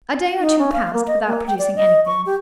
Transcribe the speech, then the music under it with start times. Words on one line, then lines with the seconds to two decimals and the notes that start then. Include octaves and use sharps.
A day or two passed without producing anything.
0.40 D#4
0.59 C#4
0.73 F5
0.93 A#3
1.07 D#5
1.26 A#3
1.47 G5
1.59 D5
1.76 D#5
2.06 C#6
2.26 G4